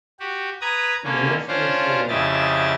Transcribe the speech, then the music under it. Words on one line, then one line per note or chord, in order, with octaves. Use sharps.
Then off they came.
F#4 G4
B4 A#5 D#6 G#6
D3 A#3 C#4
C#4 D4 F4 C5
F2 C#3 E4 G4 D#5 A6